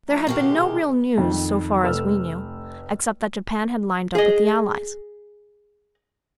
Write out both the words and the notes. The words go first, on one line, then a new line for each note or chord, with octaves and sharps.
There had been no real news so far as we knew, except that Japan had lined up with the Allies.
F3 A3 A#5
B2 D#3 F#4 G4 F5
C3 G#3
F2 D#3
F1 A3 E6 F6
G#4 D#5